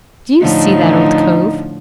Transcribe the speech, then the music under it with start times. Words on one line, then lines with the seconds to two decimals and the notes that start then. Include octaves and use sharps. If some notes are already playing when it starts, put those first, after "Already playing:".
"Do you see that old cove?"
0.41 A2 D3 F3 D#4